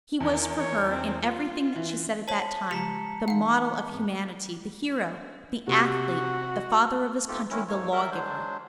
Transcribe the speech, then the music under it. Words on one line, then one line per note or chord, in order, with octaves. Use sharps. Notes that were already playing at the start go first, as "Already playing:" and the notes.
He was for her, in everything that she said at that time, the model of humanity, the hero, the athlete, the father of his country, the law-giver.
E2 D#3
C#5
C4
F4
E3
C5 C#5 A5 B6 F#7
C#3 F3 G#3 G4 A#5 B6 C#7 F7
E3 D#4 F5 F#5
G#2 C4
C3 F#4
G#2 A3 F4 G4 A4
D#3 E3 G#3 C#4 E4
G#2 E3 A3 A#3 C#5
G3 A#4 E5
F#3 G#3 D4 C5